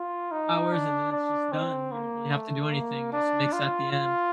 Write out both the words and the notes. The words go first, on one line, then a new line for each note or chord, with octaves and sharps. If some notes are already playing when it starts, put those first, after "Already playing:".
hours, and then it's just done. You don't really have to do anything. You just mix at the end.
Already playing: F4
D#4
D4
D4
C4
A#3
A3
A#3
D4
F4
F4